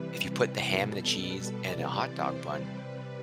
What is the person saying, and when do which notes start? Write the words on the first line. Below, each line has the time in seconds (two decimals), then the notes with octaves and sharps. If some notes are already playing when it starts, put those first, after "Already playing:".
If you put the ham and the cheese in a hot dog bun
Already playing: C3 E3 G3 B4
0.23 B4
0.69 B2 G3 A4
1.15 B4
1.61 C3 E3 G3 D5
2.07 C5
2.53 C3 G3 B4